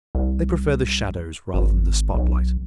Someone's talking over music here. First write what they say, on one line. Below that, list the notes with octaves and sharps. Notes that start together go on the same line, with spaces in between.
They prefer the shadows rather than the spotlight.
C2
G#1
B1